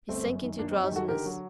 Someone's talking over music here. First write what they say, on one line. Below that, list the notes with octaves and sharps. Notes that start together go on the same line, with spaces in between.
He sank into drowsiness.
G1 A3 C4
F#2
D#3
F#2 A#3 D4
C4 D#4
F#2
D#4 G4
D#3 F#4 A4
D3 G4 A#4
F#3